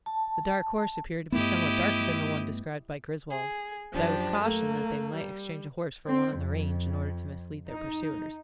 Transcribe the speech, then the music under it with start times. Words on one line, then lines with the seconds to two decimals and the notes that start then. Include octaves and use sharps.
The dark horse appeared to be somewhat darker than the one described by Griswold, but I was cautioned that they might exchange a horse for one on the range in order to mislead their pursuers.
0.06 A5
1.32 G2 A3 B3 E4 G4 D#5
3.29 G#4
3.93 F#2 F3 D4 G4
4.42 A3 A#3
5.14 G3
6.08 C4
6.37 F2
7.69 D#4